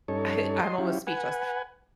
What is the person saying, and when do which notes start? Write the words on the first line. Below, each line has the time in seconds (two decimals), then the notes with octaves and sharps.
I I'm almost speechless,
0.08 G2 C#4 D#4 A4 C#5
0.63 D#5 C6
0.78 F#3 C#4 E4 F4 G4
1.07 B4 F#5 G#5